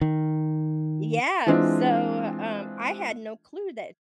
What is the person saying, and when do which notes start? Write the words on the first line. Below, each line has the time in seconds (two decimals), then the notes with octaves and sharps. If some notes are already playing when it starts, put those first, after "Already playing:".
Yeah, so, um, I had no clue that,
0.01 D#3
1.47 E3 G#3 C4 D4 F4